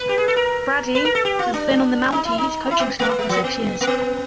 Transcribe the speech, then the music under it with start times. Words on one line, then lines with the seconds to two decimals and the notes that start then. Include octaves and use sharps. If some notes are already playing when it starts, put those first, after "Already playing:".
Brady has been on the Mounties coaching staff for six years.
Already playing: B4
0.09 G4
0.18 G#4
0.28 A4
0.36 A#4
0.95 B4
1.05 A#4
1.15 A4
1.25 G4
1.39 F4
1.54 D4
2.12 D#4
2.25 E4
2.38 D#4
2.71 E4
2.80 B3
3.00 A#3
3.09 A3
3.19 G#3
3.29 F3
3.44 B3
3.81 A#3
3.87 B3